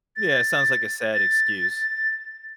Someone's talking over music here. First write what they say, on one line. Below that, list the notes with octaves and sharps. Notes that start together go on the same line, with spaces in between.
Yeah, it sounds like a sad excuse.
A6
A6